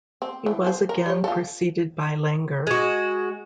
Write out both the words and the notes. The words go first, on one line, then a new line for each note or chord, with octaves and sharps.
He was again preceded by Langer.
C4
E3
F3 C5
A#4
G3 C#5
F4 A4
G#3 F#4